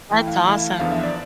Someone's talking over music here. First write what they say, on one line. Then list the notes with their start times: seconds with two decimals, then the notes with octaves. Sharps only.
That's awesome.
0.11 E3 A3 E4 G5
0.28 F5
0.46 E3 A3 E4
0.79 E2 D3 F3 B3 D4 F5
0.91 E5
1.03 D5